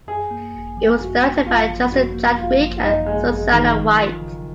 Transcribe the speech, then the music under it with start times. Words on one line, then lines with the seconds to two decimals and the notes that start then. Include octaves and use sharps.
It was directed by Justin Chadwick and Susanna White.
0.08 F#2 G#4
0.31 A#3
0.54 G#1
0.77 F3
0.99 F#2 F#4
1.22 A#3
1.46 G#1 F4
1.69 F3
1.92 F#2 F#4
2.14 A#3
2.38 G#1 F4
2.61 F3
2.84 F#2 D#4
3.06 G#3 A#3
3.29 G#1 G#3
3.52 D#3 F3
3.76 F#3
3.99 F4
4.22 C#3